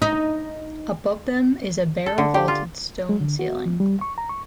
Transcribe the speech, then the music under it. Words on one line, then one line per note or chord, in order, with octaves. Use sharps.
Above them is a barrel-vaulted stone ceiling.
D#4
A4
D3
G4
F4
G#3
D3
F#4
F3
G3
C#6
A#5
C#6